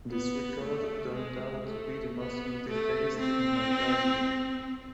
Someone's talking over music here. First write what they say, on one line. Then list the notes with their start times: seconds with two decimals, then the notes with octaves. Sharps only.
This record turned out to be the most multifaced in her career.
0.10 B3
0.62 A3
1.14 G#3
1.65 A3
2.17 B3
2.68 A3
3.20 C4